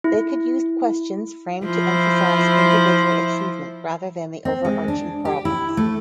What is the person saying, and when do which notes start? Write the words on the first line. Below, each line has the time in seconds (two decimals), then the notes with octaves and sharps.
They could use questions framed to emphasize individual achievement rather than the overarching problems.
0.04 E4
1.66 F3 E4 C5
4.45 C4
4.65 G#3
4.88 D4
5.25 G4
5.45 E4
5.77 A3